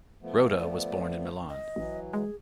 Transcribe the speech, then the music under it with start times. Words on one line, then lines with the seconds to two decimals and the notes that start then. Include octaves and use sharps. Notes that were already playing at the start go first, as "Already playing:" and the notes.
Rota was born in Milan.
0.22 F3 A3 B3
0.59 D5
1.49 D#5
1.76 A1 E3 F#3
2.13 G#3 G#4